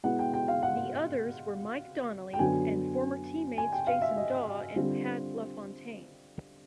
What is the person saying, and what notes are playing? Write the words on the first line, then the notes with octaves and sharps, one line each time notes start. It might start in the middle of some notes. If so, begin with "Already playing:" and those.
The others were Mike Donnelly and former teammates Jason Dawe and Pat LaFontaine.
B2 G#3 B3 E4 F#5
G5
G5
F5
F#5
G5
F#2 D3 F#3 B3 G#5
G#5
G5
F5
E5
D#5
D3 G3 C4 F4